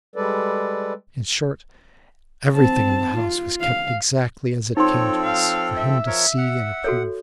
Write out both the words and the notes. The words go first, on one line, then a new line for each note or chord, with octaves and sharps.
In short, everything in the house was kept exactly as it came to us, for him to see and approve.
G3 G#3 A4 B4 D5
C4 A5
F4
F5
F3 C4 D#4 A4 C#5 C6
F5
E5
F3 A#4 C#5
F#5
F#4 A4 C#5